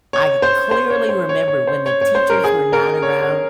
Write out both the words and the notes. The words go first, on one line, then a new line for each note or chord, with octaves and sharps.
I g clearly remember when the teachers were not around
C#5
C5
C5
C#5
C5
C#5
C#5
C5
C#5
C#5
C5
A#4
G#4
A#4
C#5
C#5